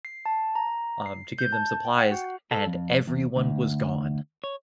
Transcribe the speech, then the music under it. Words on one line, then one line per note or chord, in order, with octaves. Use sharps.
um, to give them supplies and everyone was gone.
C7
A5
A#5
C7
G6
A5
G5
F#5
F#4
A4
F2
E2
D2
C#5